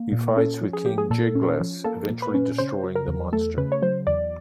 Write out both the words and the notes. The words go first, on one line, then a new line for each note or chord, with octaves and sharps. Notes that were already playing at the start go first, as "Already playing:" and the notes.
He fights with King Jyglas, eventually destroying the monster.
Already playing: A#3
A#2
C#4 A4
F3
G#4
A#3 G4
G#4
A#2 A4
C#4
F3
A#3 A4
A#2
B4
C#4
C#3 C5
F#3
A#4
E2
A3 A4
C#3 B4
C#5
F#3 C5
E2 D5